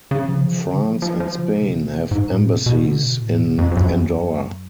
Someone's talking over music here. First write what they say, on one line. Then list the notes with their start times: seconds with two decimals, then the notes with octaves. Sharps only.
France and Spain have embassies in Andorra.
0.11 C#3
0.28 F3
0.47 C#3
0.66 D3
0.83 F3
1.02 F3
1.20 F3
1.38 C#3
1.58 B2
2.11 G#2
2.30 A2
2.49 B2
2.66 B2
2.85 D3
3.03 B2
3.22 A2
3.40 B2
3.58 F2
3.71 F2
3.77 F#2